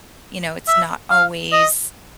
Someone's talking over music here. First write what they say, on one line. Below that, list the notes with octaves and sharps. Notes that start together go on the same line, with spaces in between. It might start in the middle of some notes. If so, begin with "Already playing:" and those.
you know, it's not always
E5
F5
D#5